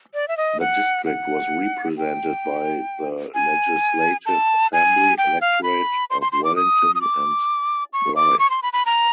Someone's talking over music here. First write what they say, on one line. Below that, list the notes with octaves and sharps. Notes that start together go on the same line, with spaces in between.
The district was represented by the Legislative Assembly electorate of Wellington and Bligh.
D5
E5
D#5
F#5
F#5
G5
G#5
A5
G#5
G5
F5
B5
C6
C6
C6
D6
D#6
D#6
D6
C#6
D6
C#6
C6
B5
B5
A#5